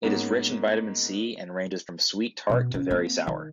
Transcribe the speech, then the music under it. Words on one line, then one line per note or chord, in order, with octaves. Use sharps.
It is rich in Vitamin C and ranges from sweet-tart to very sour.
G#2 A#3 B3 C#4
B2 B3
C#3
A#3 C4
D#3